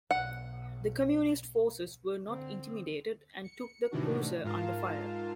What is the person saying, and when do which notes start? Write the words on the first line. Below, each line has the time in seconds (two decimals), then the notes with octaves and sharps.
The Communist forces were not intimidated and took the cruiser under fire.
0.11 B1 F#5
2.26 D3 C4
3.44 C#7
3.91 A2 C3 D#3 E3 D4 F#4
4.44 G#2 F4 A#4 F5 A5